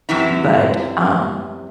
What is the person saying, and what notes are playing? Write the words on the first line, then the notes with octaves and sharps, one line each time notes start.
but, um,
F#2 C3 E3 E4